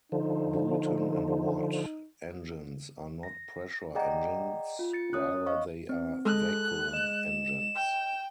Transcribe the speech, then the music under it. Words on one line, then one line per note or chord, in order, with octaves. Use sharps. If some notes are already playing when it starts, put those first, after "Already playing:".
Boulton and Watt engines are not pressure engines, rather they are vacuum engines.
D3 F3 D#4
A#6
G#4 D5 D#5 F#5 G5 A#5
F4
A6 C#7
C#4 C#5 D#6 F#6
D#5 F5 C#6
C4
G#3 A4 F#6
D#5 E7
G5